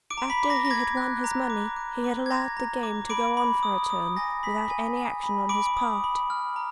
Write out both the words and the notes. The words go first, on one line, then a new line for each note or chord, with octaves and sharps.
After he had won his money, he had allowed the game to go on for a turn without any action on his part.
D6 D7
A#5
B5 B6
D6
A#6
A#6
D6 G#6
F#6
A#5
D6
D6
D6
G#6
A#5 A#6
A#5
D6
B5 D6 D7
B5
D#6
D#6
G#5 A#6
B5 B6
G#5
G#5
B5
B5 D6 D7
D#6
B5
F6
A#5